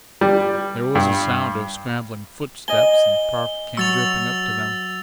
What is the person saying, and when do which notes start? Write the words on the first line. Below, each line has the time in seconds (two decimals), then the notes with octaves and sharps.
There was a sound of scrambling foot-steps and Park came dripping up to them.
0.21 G3
0.95 G2
2.68 D#5 G#5 G7
3.77 F#3 C#6 E6 A6 F7